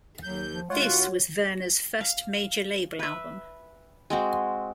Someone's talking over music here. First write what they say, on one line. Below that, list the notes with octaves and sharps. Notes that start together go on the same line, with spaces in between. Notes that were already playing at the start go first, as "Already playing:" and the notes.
This was Werner's first major label album.
D#2 F#3 G6
F3
D#2 G#3 F4 C#5 F#5
F#4
F5
B4 E5
G#3 C4 F#4